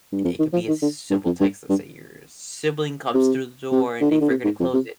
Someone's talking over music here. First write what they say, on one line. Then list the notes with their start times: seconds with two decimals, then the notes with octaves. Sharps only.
it could be a simple text, let's say your sibling comes through the door and they forget to close it,
0.12 G2
0.24 F2
0.39 D#3
0.53 F3
0.68 D#3
0.82 D3
1.10 G2
1.25 F2
1.40 G2
1.69 G2
3.14 C3
3.72 C3
4.01 D3
4.11 D#3
4.21 D3
4.30 C3
4.44 G#2
4.60 F2
4.74 C3